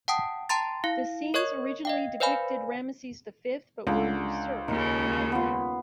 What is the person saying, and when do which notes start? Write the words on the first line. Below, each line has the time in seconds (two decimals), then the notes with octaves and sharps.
The scenes originally depicted Ramesses the Fifth but were usurped.
0.08 F#5 G5 A5 D#6
0.49 G5 A5 A#5 C6 A6
0.84 E4 F5
1.34 A#4 C#5 D#5 C#6 G#6
1.85 D#5 F5 G5
2.20 B4 C5 D5 F5 G#5 B5
3.87 C#2 D3 F5
4.68 D#2 C#3 D#4
5.32 B3 F4